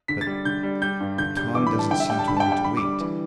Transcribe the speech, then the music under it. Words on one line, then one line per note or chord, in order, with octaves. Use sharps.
But--but Tom doesn't seem to want to wait.
D3 B6
A6
G3
D3 G6
G3
G3 G6
G2
D3 G6
G3 G6
E3 D6
B5
G3
A5
D3 G5
E5
G3 G5
A5
D3 B5
A5
G5
G3
G5
D3 B5
D6
G3
E3